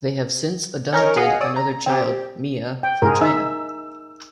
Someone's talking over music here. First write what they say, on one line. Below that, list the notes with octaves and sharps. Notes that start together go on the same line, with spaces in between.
They have since adopted another child, Mia, from China.
C#4 D#4 A#4 C#5
G#4 D#5 F5 F#5 G#5
C#5 D5 D#6 E6
A#5
C4 G4
G5
G#2 G#4 A#4
D#4 E5 E6